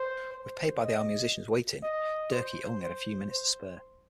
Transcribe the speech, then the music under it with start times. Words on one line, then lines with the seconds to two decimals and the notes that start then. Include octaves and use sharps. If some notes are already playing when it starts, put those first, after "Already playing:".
With paid-by-the-hour musicians waiting, Durkee had only a few minutes to spare.
Already playing: C5
0.33 C5
0.83 D#5
1.83 D#5
2.32 C5
2.83 C5
3.32 C5